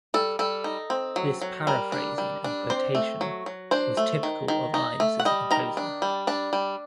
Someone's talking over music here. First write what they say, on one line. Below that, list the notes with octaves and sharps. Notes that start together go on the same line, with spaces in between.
This paraphrasing and quotation was typical of Ives as a composer.
G3 A4
G3 A4
D#4
C4
F#3
F#3
G3 A#4
D4
G3
D4
C4 C5
A3
F#3
F#3
D4 C5
A3
D#3
D#3
D#4
A3
F#5
G3 D#5
D#3 A#5
D4
G3
D4 A5
G3